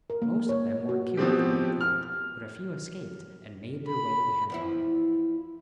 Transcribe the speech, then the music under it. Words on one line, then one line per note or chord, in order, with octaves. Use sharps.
Most of them were killed in the attempt, but a few escaped and made their way to Hennebon.
A#4
A#3
C#5
F#4
B2 F3 C4 G4
F6
B5
E2 F3 E4